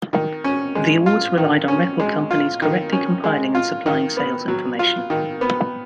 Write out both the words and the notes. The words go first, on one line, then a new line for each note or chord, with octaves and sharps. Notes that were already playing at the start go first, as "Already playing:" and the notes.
The awards relied on record companies correctly compiling and supplying sales information.
D#3
C#4
G#3
F4
D#3
C#4
G#3
F4
D#3
C#4
G#3
F4
D#3
B3
F#3
F4
D#3
B3